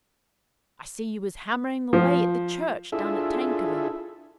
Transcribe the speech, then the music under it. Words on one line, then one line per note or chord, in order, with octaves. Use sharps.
"I see you was hammering away at the Church down at Tankerville."
F3
D4 E4 F4 G#4 A4 E5